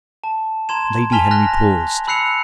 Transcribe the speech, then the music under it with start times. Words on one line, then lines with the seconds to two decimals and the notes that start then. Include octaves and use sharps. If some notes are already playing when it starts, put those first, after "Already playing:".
Lady Henry paused.
0.24 A5
0.69 A#5 C6 G#6 E7
1.12 G#5 A5 F6 B6 F7 G7
1.31 F6 F#6 A#6
2.07 B5 E6 F#6 C7 C#7 F7